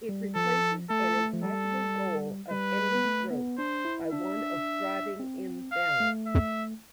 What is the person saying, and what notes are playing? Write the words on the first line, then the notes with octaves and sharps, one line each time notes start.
It replaces an impossible goal of endless growth by one of thriving in balance.
G3
F3 A4
A3 A4
A3
F3
G3 A4
G3 B4
B3
A3
B3
D4 C5
E4
D4 E5
C4
F5
A3
E5